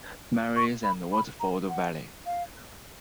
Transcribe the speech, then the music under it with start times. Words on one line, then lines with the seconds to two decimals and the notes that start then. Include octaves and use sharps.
Mary's and Waterford Valley.
0.56 C#6
0.84 B5
1.12 B5
1.40 A#5
1.69 F#5
2.26 F5